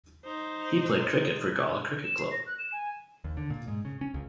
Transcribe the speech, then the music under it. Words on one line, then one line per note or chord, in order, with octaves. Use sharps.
He played cricket for Gala cricket club.
D#4 C5
E7
C7
A#6
F#6
E7
G#5
D#2
D3
A#2
G#2
C#3
C#4
C#2